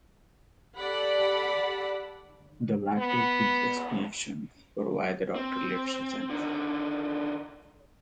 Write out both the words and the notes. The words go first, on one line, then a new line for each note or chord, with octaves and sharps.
The latter gives an explanation for why the Doctor left Susan.
G4 A4 D5 F#5 B5
B3
C4
D3 D#3